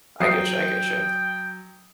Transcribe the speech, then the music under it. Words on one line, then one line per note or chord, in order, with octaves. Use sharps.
I get you, I get you.
F#3 G5 D#6 C7